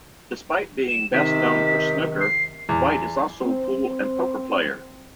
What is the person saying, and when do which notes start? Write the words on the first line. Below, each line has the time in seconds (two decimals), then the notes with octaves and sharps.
Despite being best known for snooker, White is also a pool and poker player.
0.88 E7
1.14 C3 D#3 B6
2.21 C7
2.69 E2
3.45 C4 C5